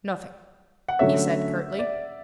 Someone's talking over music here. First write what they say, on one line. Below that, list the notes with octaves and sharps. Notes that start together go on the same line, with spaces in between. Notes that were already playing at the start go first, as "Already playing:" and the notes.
"Nothing," he said curtly.
F#5
D3 F#3 A3 C#4 E5
D5